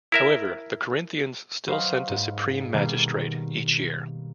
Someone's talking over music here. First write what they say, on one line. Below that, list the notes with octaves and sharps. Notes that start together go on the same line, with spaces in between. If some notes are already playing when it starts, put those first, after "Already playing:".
However, the Corinthians still sent a supreme magistrate each year.
E4 A#4 E5
F#3 B4 C5 D#5 F5
G#2
B2 D#3 G3 A#3